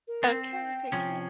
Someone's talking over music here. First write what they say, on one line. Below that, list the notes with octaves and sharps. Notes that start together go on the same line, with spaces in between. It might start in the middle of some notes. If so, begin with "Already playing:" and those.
Okay, take care.
A#4
C4
G5
C3 F3 C#4